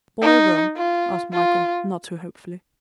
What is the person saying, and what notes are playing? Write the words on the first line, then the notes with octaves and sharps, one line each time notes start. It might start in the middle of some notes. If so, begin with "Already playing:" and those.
"Boy or girl?" asked Michael, not too hopefully.
D#4
F4
F4